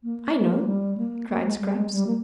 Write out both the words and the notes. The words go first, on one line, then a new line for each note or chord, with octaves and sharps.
"I know!" cried Scraps.
A#3
A#3
G#3
G3
A#3
A#3
G#3
G3
G#3
G3
A#3